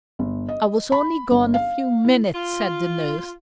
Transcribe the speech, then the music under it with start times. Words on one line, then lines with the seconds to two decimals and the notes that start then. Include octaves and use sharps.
"I was only gone a few minutes," said the nurse.
0.19 G1
0.49 D#5
0.92 B5
1.31 G1
1.54 F5
2.05 E4
2.35 F4